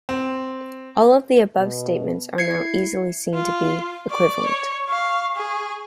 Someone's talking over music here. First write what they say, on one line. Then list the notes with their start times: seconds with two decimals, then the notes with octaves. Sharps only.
All of the above statements are now easily seen to be equivalent.
0.09 C4
1.58 B2
2.38 E4 G#6 C7 C#7
3.34 F4
4.10 D5 C#6
4.47 C#5
4.89 F5
5.36 G#4